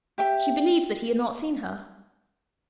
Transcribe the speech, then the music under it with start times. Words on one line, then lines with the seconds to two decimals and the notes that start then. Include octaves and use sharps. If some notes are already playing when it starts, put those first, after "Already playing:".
She believed that he had not seen her.
0.18 G4 E5 G5